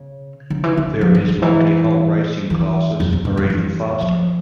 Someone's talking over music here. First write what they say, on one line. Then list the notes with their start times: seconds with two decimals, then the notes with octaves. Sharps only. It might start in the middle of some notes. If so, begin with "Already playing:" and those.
Various multi-hull racing classes are even faster.
Already playing: C#3
0.50 D3
0.64 E3
0.77 D3
1.01 F3
1.15 E3
1.29 D3
1.42 E3
2.50 E3
3.00 F2
3.13 F2
3.25 G2
3.37 F2
3.50 E3
4.01 F3